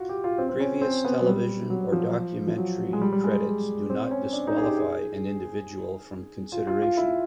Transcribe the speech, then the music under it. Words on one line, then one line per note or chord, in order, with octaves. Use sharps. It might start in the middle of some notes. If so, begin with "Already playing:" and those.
Previous television or documentary credits do not disqualify an individual from consideration.
Already playing: F4 F#4
G4
F4
C4
C4
C#4
C4
B3
F#3
G3
F#3
F3
F3
F#3
G#3
G3
G3
G#3
C4
C#4
D4
D#4
G#4
G4
G#4
F4
F4
F4
E4